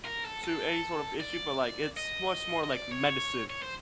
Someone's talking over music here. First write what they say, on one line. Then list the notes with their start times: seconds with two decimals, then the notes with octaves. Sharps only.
to any sort of issue, but, like, it's much more like medicine.
0.05 A#4
0.25 A4
0.44 A4
1.20 D5
1.97 D#5
2.63 D#5
2.73 D5
2.92 C#5
3.50 C#5
3.62 C5